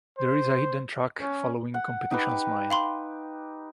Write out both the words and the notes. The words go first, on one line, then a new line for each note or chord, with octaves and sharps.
There is a hidden track following "Competition Smile".
C5
C#4
F#5
D#4 G4 B4
F5 B5 C6